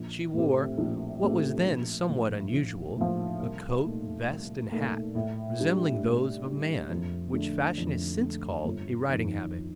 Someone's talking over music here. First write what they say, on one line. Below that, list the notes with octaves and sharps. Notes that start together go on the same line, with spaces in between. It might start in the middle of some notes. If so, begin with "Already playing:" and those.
She wore, what was then somewhat unusual, a coat, vest, and hat, resembling those of a man, which fashion has since called a riding habit.
Already playing: A#1
A2 A3 C4 G4
A#1
A2 A3 C4 G4
A#1
A2 F3
A#1
A2 F3
C2
A#2 A3 D#4
C2
A#2 A3 D#4
A2
G3 D4
A2
G3 D4
F2
D3 A3
F2
D3 A3
G1
F2 D#3